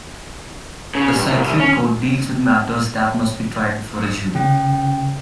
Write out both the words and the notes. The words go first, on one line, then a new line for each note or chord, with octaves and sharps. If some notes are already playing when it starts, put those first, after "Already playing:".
The Circuit Court deals with matters that must be tried before a jury.
C#3
G2
C2
C#4
C#3 C#4 G5